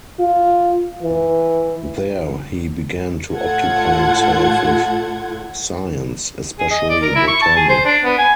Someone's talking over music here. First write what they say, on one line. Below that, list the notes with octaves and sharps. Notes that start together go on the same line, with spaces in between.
There he began to occupy himself with Science, especially botany.
F4
E3
A2 F4 A4 F#5 G#6
G#4
D#5
D5
A#4
E4
C#6
A5
G#4
C5
D4
B3
G#5